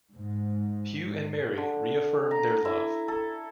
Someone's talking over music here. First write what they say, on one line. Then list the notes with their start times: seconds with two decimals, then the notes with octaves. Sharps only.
Hugh and Mary reaffirm their love.
0.14 G#2
1.58 D3
2.31 A#5
2.65 E4
3.08 A4